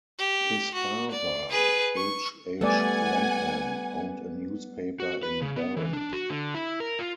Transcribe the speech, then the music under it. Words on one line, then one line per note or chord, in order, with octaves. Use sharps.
His father, H. H. Lampman, owned a newspaper in Barron.
G4
F#4
D5
G#4 B4
C#6
G3 A3 B3 D5 F#5 G#5
F#4
B4
C#3
B3
E3
D4
F#4
D3
E4
A#4
F4